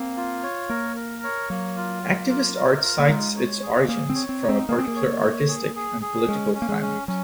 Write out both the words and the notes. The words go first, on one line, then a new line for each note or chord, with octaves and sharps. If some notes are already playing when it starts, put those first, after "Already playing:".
Activist art cites its origins from a particular artistic and political climate.
Already playing: A#3 C4
F4
C#5
A#3 A#4
A#4
C#5
F#3 A#3
F4
A#3
F4
A#4
F4
A#3
G#3 D#4
C#5
G#4
A#3 G#4
C4
C#5
C4
D#4
C4
A#3 G#4
C4
A#3
C#5
C#5
G#4
G#4
G#4
G#3 C#4
C#4
A#3
G#3
C#4
F#3 C#4